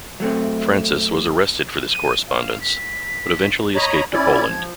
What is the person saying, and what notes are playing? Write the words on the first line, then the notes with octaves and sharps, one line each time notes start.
Francis was arrested for this correspondence but eventually escaped to Poland.
F#3 A3 C4
D#7
F5
B6
C#5 D#5 A#5 B5
C#4 E4 D5 G#6
F3